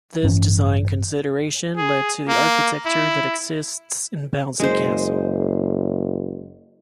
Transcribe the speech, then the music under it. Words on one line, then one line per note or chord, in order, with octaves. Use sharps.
This design consideration led to the architecture that exists in Bouncy Castle.
A1 G2 E3 C#4
G#4
A#3
E4
F#1 G#3 C5